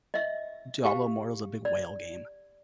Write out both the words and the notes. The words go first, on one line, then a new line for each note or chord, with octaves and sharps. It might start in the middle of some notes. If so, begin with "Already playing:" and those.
Diablo Immortal's a big whale game
D#5 E5
G4 F5
D5